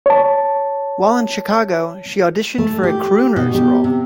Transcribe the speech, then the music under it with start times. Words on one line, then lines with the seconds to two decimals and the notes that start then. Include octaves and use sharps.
While in Chicago, she auditioned for a crooner's role.
0.06 C#5 A5
2.58 A3
2.83 G4
3.36 B2
3.54 G4
3.84 C3